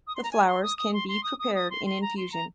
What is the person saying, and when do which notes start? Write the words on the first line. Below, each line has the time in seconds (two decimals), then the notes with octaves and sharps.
The flowers can be prepared in infusion.
0.07 D#6
0.15 C6
0.23 A#5
0.31 G#5
0.46 C6
0.62 D#6
0.77 D#6
0.93 C6
1.08 C6
1.23 D#6
1.39 D#6
1.54 D#6
1.70 C6
1.86 C6
2.01 A#5
2.17 C6
2.32 A#5